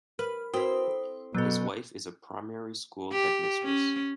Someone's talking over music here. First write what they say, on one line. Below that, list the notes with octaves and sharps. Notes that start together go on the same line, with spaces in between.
His wife is a primary school headmistress.
A#4 B4 F6
C4 E4 F#4 A#4 B4 G5 D#6 G7
A4
B2 F#3 A4 F#6 G6 A6
G4
C#4